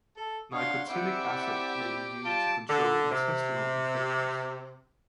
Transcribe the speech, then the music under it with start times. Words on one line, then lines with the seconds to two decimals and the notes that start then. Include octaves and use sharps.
Nicotinic acid may be used to control intestinal infections.
0.17 A4
0.53 D4 C#5 F5 F#5 C6
0.90 C4 E4 G4 D5 E5 F#5
2.25 G3 F4 A5 D7
2.70 D3
3.12 C3